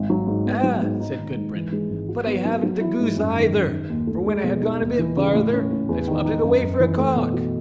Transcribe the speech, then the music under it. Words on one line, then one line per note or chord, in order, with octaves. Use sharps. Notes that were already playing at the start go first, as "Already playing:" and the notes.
'Ah!' said Gudbrand, 'but I haven't the goose either; for when I had gone a bit farther I swopped it away for a cock.'
Already playing: G#1
F#3
G#2
B3
F#3
G#2
D#4
D#3
G#2
E3
G#3
G#1
F#4
B3
F#3
F#3
E4
G#2
F#2
D#3
F#2
D#3
D#2
A3
G#3
B2
D#4
D#2
E3
C#3
A2
C#4
A2
E2
D#3
D#4
F#2
F#2
E3
A3
B2
F#4